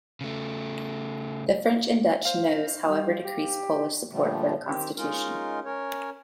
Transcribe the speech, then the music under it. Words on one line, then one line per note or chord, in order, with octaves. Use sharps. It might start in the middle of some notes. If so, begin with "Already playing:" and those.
The French and Dutch no's however decreased Polish support for the Constitution.
C#3 A3
C5 F5
G3
G4
A#2 D3 F3 G3 A3
D#3 C4 G4
G#3 C#4 D#4 F4 A#4
C#4 A#4 C#5